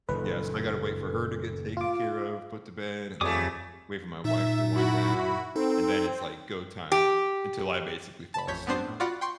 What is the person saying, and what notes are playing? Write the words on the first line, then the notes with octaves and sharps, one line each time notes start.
Yes. I gotta wait for her to get taken care of, put to bed, and then wait for my wife to wind down. And then it's, like, go time until I basically fall asleep.
F#1 A#2 D#3 A4 B4
F4 F5 D6
F2 G3 A3 G#4 C#5 G#5 D6 D#6
A#2 D#4 E5
E4 F#4 B5
C4 D#4 A4
G4
A5 B5
A1 F2 C#5 G6 B6
G#2 B3 C4 D4 C5 C7
A2
F4 F#4 D5 F#5 B5
G5 C6 C#6